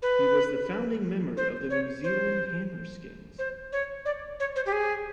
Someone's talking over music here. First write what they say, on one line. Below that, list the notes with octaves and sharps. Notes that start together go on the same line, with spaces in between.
He was the founding member of the New Zealand Hammerskins.
B4
C5
C#5
C5
C5
C#5
D5
C#5
C5
G4
G#4